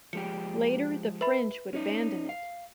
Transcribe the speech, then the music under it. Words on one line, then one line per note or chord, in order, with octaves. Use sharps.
Later the French would abandon it.
F3 G#3 G4 C#7
B4 E5 B5
C#4 D#4
F5